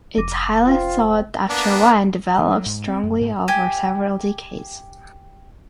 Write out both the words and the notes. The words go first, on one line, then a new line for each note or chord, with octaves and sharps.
Its highly sought after wine develops strongly over several decades.
F1 D6 A#6 D#7
F4 C5 G5
A#3 B3 D4
E3
F#3
G#2
C4
F#2
G#2
G4 G#5